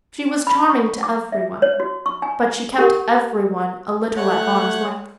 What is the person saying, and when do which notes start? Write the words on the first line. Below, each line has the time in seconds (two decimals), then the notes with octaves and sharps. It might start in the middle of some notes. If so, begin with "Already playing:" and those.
She was charming to every one, but she kept every one a little at arm's length.
0.47 B5
0.69 C#6
1.03 D6
1.32 E5
1.62 C#5
1.80 F#4
2.06 C#6
2.22 G#5
2.78 G4 A#4 F#5
4.17 A3 C#5 F#5 F#6